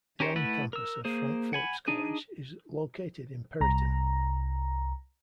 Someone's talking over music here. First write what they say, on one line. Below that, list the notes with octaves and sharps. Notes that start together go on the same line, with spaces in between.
The Allen Campus of Frank Phillips College is located in Perryton.
C#4 G4 A#4 C5 C#5
A3 E4 A4 B4 F#5
A#4 E6
A#3 G#4 C5
F#5 G#5 B5
D4 D#4 G#4
C2 A#5